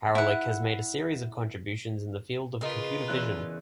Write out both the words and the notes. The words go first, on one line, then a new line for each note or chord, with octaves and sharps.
Haralick has made a series of contributions in the field of computer vision.
E4 F#5
C#3 F4 A#4 B4 D#5
E2 E4 F#6